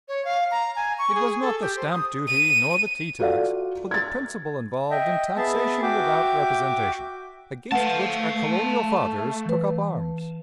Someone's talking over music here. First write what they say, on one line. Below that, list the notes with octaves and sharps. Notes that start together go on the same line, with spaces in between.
It was not the stamp duty nor the tea-tax, but the principle involved in taxation without representation, against which our colonial fathers took up arms.
C#5
F5
A#5
G#5
C#6
G#4
A4
G4
C5
D#6
D#7
F4 F#4 A4 D5 F5 F#5
G#6 A6
D#5 E5 G5
B3 G#4 E5 A5
F#4 E5 G5 D6
A3 B4 F5 F#5 A5
E3 B4